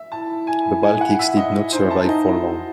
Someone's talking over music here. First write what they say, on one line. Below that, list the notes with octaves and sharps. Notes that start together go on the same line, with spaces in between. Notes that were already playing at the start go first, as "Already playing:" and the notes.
The Baltics did not survive for long.
Already playing: E5
E4 A5
G#5
G#5
F#5
E5
D#5
E4
D#4 C5
E4
A5
D#4
D#5
E4
F#4